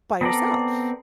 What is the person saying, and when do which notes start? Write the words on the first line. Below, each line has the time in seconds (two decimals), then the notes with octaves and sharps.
by yourself,
0.21 B3 C4 A4 A#4 D5